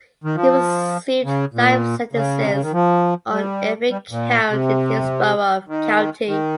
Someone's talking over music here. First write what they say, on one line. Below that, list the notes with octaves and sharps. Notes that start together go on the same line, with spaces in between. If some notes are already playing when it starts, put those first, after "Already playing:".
He received life sentences on every count in Hillsborough County.
D#3
F3
C#3
A#2
C#3
C3
C#3
D#3
F3
G3
G3
A#2
C3
D#3
D#3